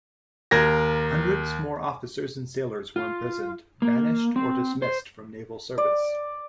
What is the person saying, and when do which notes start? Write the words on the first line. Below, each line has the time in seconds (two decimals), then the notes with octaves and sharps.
Hundreds more officers and sailors were imprisoned, banished or dismissed from naval service.
0.51 D#2 A#4 G#6 A#6
2.96 F4
3.82 A#3
4.36 C4
4.82 C5
5.78 D5